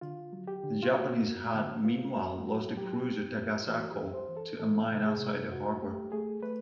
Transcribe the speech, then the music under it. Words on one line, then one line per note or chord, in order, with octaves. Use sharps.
The Japanese had meanwhile lost the cruiser "Takasago" to a mine outside the harbor.
D3 F4
F#3
G4
D3
F4
A#3 F#4
A#3
D3
B3 F4
F#3 F#4
F#3 F#4
F#3 G4
F#3
B3
E3 F#4
G4
D2
C5
E3
A4
E3 A4
C3
G#4
C3
D2 F#4
A3 G4
A3 G#4
A3 B4